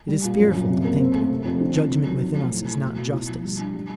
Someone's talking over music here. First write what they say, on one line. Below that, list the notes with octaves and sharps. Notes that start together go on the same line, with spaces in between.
It is fearful to think that judgment within us is not justice.
G3
A#2
F#2
F#2
C3
A#3
C4
A3
C3
F2
D3
C4
D#3
F#3
F3
A3
A2
A2
B2
B2
E4
F3
G3
D4
G3